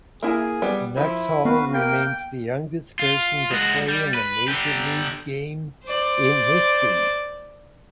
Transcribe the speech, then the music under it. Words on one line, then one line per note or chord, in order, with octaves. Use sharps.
Nuxhall remains the youngest person to play in a major league game in history.
A#3 E4 G#4 G#5
G3 B3
D#3 F3 E4
B3 F#4 B4 F5
A#3 A#4 G5
F4
G#3 F#4
G3
B4
D3 G4
C5 D5